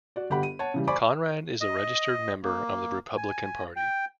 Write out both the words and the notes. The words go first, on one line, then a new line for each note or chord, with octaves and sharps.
Conrad is a registered member of the Republican Party.
F#4 D5
G1 G4 A4 F#5 B5
D#7
C#5 F#5 A5
C#3 E3 G3
C5 D5 G#5 B5 C#6 D6
D#5
A#3
G#5
G5